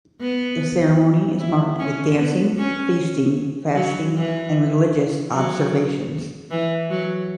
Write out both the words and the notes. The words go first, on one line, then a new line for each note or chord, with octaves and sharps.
The ceremony is marked with dancing, feasting, fasting and religious observations.
B3
E4
C#4
B3
C#4
F#3
E3
F#3
E3
F#3